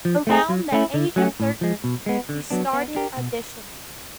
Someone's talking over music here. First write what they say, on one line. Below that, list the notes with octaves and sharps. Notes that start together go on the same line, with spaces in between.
Around the age of thirteen she started auditioning.
F3
A3 C4 E4 G#4
F#3
A3 C#4 E4
D3
F#3 A3 C#4
A2
F3 G#3
B2
G#3 B3
D3
F#3 B3 D4
B3
D4 G4 A#4
B2